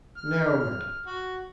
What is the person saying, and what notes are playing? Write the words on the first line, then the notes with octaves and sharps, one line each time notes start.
"No, madam."
F6
F6
F#4